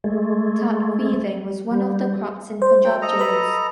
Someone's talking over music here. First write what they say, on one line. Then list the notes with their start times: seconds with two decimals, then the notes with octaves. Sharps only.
Tat weaving was one of the crafts in Punjab jails.
0.04 G#3 A3
1.72 G3
2.62 C5
2.85 F#3 G5
3.02 A4 D#5 A#5
3.19 B4 B5